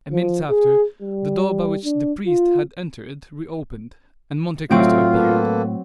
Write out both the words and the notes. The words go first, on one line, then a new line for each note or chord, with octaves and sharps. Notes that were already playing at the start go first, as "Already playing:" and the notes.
A minute after the door by which the priest had entered reopened, and Monte Cristo appeared.
F3
G#4
G3
D4
F4
A2 F#3 A3 C4 F4 D7
A#3 A4 B4